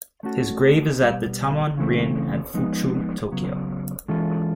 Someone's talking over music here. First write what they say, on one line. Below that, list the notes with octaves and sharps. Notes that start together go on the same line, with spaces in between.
His grave is at the Tama Reien at Fuchu, Tokyo.
A3 C#4 F#4 A4
B2 G3 B3
C#3 E3 A3 C4
F3 G#3 B3 D#4
C#3 F#3 B3
E3 G#3 C#4 F4 A4